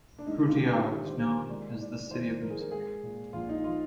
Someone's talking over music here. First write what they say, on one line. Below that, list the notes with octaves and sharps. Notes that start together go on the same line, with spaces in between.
Frutillar is known as the "City of Music".
D4
G#3 D#4
D#4
F4
D3 G4
D#2 G4
C5
F3 A#4
G#3 D5
G#2 D5
G#1 C5
F3 A#4
G#4
A#4
G#3 G#4
A#2
A#1 F4
D#4
F3 F4